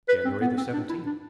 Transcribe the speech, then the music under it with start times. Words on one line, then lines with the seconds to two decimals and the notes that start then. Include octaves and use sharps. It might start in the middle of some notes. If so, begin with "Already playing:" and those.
"January the seventeenth."
0.09 B4
0.25 C4
0.41 B3
0.57 C4
0.73 D4
0.89 E4
1.06 D4